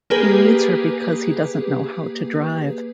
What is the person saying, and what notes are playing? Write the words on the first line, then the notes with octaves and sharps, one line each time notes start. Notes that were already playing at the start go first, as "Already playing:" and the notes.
He needs her because he doesn't know how to drive.
A#3 G4 G#4 B4